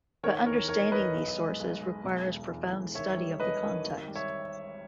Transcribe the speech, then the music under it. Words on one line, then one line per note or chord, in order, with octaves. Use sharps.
But understanding these sources requires profound study of the context.
D#3 A#4 C#5
E2 A#4 C#5
D#3 A#4 C#5
E2 B4 D#5
B1
G#3
B1
G#3
B2
E1
E2
E1
D#3 C#5 E5
G3
E1 B4 D#5
D#3
G#1
G3
C#5 E5